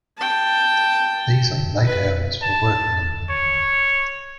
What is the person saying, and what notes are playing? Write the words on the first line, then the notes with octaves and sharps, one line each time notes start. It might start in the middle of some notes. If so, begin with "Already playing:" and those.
These are late hours for working and thinking.
G5 A5
B4
A5
C#5